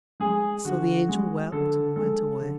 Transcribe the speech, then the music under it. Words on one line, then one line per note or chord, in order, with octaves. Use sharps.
So the angel wept and went away.
G#3 G#4
D3 F#4
G#3
D3 A4
G#3 A4
D3